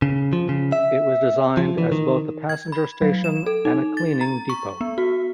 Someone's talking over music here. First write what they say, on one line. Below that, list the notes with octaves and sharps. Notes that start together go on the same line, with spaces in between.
It was designed as both a passenger station and a cleaning depot.
C#3
F3
C#3
E5
F3
E3
D#3
G#6
B5
F#3
E7
A4
D#4
A6
A#5
C#6
B3
F#4